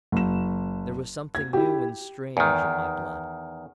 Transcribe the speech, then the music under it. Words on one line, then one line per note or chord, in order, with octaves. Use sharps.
There was something new and strange in my blood.
F#1 E7
G#6
E4 G4
E2 D#3